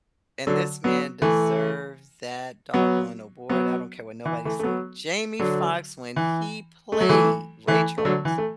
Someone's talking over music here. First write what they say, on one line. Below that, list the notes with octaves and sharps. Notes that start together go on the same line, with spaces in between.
And this man deserves that doggone award, I don't care what nobody say. Jamie Foxx when he played Ray Charles,
D3 F#3
F#3 B3
E3 A3
F#3 B3
F#3 B3
E3
E3 A3
A3
F#3 B3
D3 F#3
E3
A3
F#3
E3 A3
E3 A3
A3
D3 F#3
E3
A3